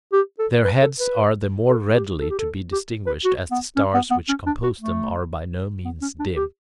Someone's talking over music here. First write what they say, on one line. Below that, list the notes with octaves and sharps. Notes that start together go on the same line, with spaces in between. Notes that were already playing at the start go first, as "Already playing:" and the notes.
Their heads are the more readily to be distinguished as the stars which compose them are by no means dim.
G4
A4
B4
A4
B4
A4
G4
A4
G4
A4
G4
B4
F#4
B3
C#4
B3
B3
C#4
D4
F#4
A3
B3
C#4
D4
G4